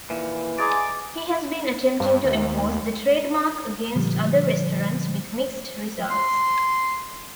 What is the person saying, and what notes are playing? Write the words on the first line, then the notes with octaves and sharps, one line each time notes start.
He has been attempting to enforce the trademark against other restaurants with mixed results.
D#2 A#2 E3
G#3 G#4 D5 A#5 D6
G2
D#2
A#2 D3 F3 G3
C6